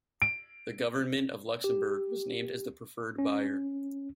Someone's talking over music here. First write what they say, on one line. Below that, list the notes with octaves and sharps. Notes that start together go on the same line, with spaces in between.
The government of Luxembourg was named as the preferred buyer.
D7
G4
C#4